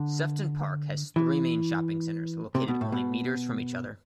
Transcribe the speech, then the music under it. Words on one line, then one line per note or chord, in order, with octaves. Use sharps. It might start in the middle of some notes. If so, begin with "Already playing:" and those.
Sefton Park has three main shopping centres located only metres from each other.
Already playing: D3
E3
C3
B2
A2
B2